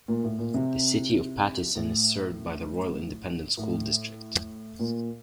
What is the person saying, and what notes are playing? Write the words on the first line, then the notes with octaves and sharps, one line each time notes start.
The City of Pattison is served by the Royal Independent School District.
A#2
A2
A#2
C3
A2
A2
A#2